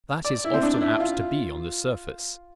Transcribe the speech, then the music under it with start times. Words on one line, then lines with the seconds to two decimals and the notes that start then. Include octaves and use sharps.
That is often apt to be on the surface.
0.25 D5
0.44 E4
0.54 C4
0.63 D4
0.74 D4
0.81 E4
1.00 F4